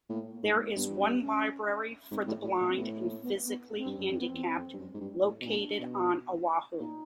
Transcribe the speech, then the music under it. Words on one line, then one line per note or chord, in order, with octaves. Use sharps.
There is one library for the blind and physically handicapped, located on Oahu.
A2 A#3
A#3
G#2
A#3
G2 B3
C4
C#4
G#2 C4
A2
A2
A#2
C4
A2 B3
A#3
B3
B3
C4
G2
F#2
F2 C4
B3
C4
E2
F2
G2
F#2
G#2
G2
A2
B2
A#2 D4
B2
A#2 D#4